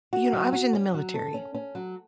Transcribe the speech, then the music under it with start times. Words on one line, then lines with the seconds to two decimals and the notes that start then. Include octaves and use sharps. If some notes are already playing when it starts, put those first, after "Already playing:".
you know, I was in the military
0.13 F#4
0.33 F#3
0.53 F#4
0.73 C#4
0.94 F#3
1.14 A4
1.34 C#4
1.55 C#4
1.75 F#3